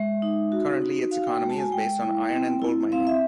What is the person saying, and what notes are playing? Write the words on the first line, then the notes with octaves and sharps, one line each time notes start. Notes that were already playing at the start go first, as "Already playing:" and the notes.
Currently its economy is based on iron and gold mining.
Already playing: G#3 E5
D#4
F#4
D#4
F#4 F5
G5
G#3
A5
G#5
G#3 G5
E4
C4
E4
C4 F5
E5